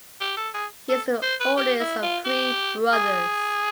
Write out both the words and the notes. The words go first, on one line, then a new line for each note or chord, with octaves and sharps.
He is the oldest of three brothers.
G4
A4
G#4
A4
C5
B4
G4
E4
F4
G4
G#4